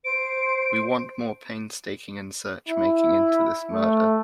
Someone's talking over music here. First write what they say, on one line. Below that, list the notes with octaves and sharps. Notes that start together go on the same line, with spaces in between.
We want more painstaking and search-making into this murder.
C5 D7
E4
A3